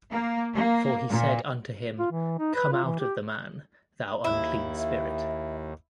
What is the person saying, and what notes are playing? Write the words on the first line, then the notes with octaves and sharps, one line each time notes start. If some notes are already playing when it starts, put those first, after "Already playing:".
For he said unto him, Come out of the man, thou unclean spirit.
A#3
A#3
A#2
F4
E3
D#4
B4
F4
E3
G4
D#2 E4
E5